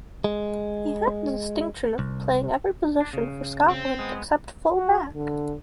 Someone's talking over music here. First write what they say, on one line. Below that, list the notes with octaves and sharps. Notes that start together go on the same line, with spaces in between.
He had the distinction of playing every position for Scotland except Full Back.
G#3
C2
D4
C#3
C4
G#3 B3
F#4
D3